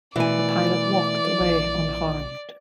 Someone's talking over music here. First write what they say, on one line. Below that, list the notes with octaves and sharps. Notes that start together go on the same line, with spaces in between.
The pilot walked away unharmed.
B2 E3 A3 D5 G#5
A#1